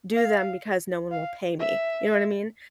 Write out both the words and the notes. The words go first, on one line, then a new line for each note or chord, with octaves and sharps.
do them because no one will pay me. You know what I mean?
F5
F5
E5